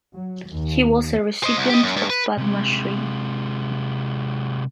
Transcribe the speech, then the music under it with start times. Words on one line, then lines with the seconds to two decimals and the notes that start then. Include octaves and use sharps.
He was a recipient of Padma Shri.
0.14 F#3
0.47 D#2
1.44 C5 D#5
1.57 C2
1.70 G4 D#5
1.83 F#2
1.97 G2
2.10 B4
2.37 C3 G#3